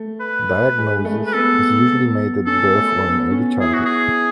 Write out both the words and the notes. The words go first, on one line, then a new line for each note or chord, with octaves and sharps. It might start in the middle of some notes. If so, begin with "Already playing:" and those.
Diagnosis is usually made at birth or in early childhood.
Already playing: A3
B4
G#3
A3
B4
B3 A4
C#4 A4
A3
B3
C#4
E4 G#4
F#4
G#4